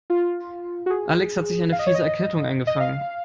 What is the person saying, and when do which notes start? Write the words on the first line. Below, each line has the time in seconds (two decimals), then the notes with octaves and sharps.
Alex hat sich eine fiese Erkältung eingefangen.
0.10 F4
0.86 F#4
0.90 G#4
1.72 F5
1.79 D#5
1.87 C#5
1.94 D#5
2.67 D#5
2.80 F5